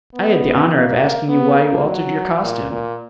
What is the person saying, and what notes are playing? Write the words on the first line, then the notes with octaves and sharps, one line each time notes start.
I had the honor of asking you why you altered your costume.
B3
A#3
B3
A#3
F#3
A#2
A#2